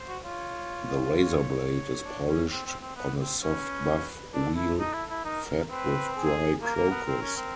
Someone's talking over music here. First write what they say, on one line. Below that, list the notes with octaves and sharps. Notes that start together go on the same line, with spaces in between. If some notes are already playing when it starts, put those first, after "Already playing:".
The razor blade is polished on a soft buff wheel fed with dry crocus.
Already playing: C5
F#4
F4 C#5
C#5
D4
C#4
C4
C4
C4
B3
C4
C#4 B4
D4 A4
E4
D#4
E4
E4
D#4 A#4
C4 B4
G#4
A#3 A#4
A#3
B3
C4
C#4
C4